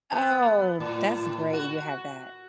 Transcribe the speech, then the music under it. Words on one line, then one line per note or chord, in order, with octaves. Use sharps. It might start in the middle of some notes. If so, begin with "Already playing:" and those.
Oh, that's great you have that.
B3
A2
F#4